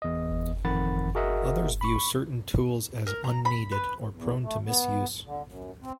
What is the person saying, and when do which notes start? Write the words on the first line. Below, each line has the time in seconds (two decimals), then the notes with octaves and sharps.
Others view certain tools as unneeded or prone to misuse.
0.02 E2 D#5
0.65 A1 F2 D#3 F#5 B5 A6
1.15 F#4 G#4 A#4 D#5 E5 F#5
1.81 B5 C#6
3.07 A#4
3.24 A#5
3.45 B5
3.72 B4
4.13 E2
4.43 A3
4.66 B3
5.25 D3
5.46 F#2
5.82 C4